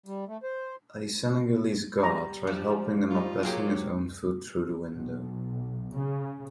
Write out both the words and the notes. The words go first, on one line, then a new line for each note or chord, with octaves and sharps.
A Senegalese guard tried helping them by passing his own food through the window.
G3
A3
C5
G3 A#5
F3 G3 D4
G3 D#4 F4
F#3 A#3 G4 G#4 A#4
B1
C#3